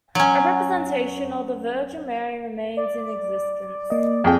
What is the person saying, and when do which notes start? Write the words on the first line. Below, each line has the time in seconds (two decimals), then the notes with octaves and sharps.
A representation of the Virgin Mary remains in existence.
0.15 F#3 C#4
2.77 D5
3.90 A#3 D#5
4.24 F2 G#4 G5